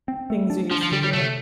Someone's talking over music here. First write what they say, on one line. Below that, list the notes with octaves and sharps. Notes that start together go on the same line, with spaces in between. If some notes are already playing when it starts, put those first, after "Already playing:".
things you used to do.
C4
A3
D4
F3 D4
F3
D3 G3
G3
C3 A3